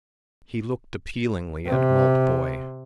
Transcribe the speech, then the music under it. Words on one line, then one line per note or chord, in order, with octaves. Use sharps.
He looked appealingly at Maltboy.
C3